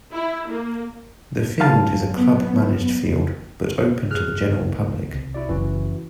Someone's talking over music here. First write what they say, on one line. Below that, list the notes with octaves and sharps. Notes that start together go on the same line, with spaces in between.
The field is a club managed field, but open to the general public.
E4
A#3
F#2 F5 A5
B3
G#4 F6 F#6
C#2 D#3
C2
E4 F#4 D5
F#1 E3 C#4 F#4